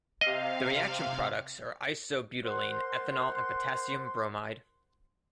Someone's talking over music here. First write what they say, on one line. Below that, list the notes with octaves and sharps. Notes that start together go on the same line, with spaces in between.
The reaction products are isobutylene, ethanol and potassium bromide.
C3 D#5 F5
A#4 C5 F#5 C6